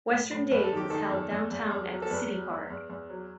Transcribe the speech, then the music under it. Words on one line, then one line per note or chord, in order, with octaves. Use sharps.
Western Days is held downtown at the city park.
A2
A2
E2 B4
A4
D#3
G4
D#3 A4
E2
E2
E2
E2
F#3
A4
E2 B4
F#3
E2
E2
E2
F#3